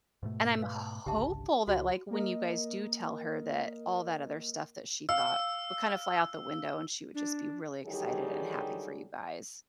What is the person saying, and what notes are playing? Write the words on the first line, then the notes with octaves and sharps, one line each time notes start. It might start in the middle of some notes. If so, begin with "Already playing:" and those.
And I'm hopeful that, like, when you guys do tell her that all that other stuff that she thought, would kind of fly out the window and she would just be really excited and happy for you guys.
G#2 B2 A3
B4 F5
G#1 C#2 D3 G4 E5 A5
C#2 F#4
A#3 A#4 D#5
F5 E6
D4
D3 D#3 F#3 G3 G4 G#4